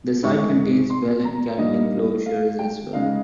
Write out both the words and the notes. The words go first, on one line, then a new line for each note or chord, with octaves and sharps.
The site contains wells and cattle enclosures as well.
G#2 D#3 G#3 C#6
C6
A#5
G2 D#3 G3 A#3 D#5
F5
G5
C#3 G#3 D#4 F5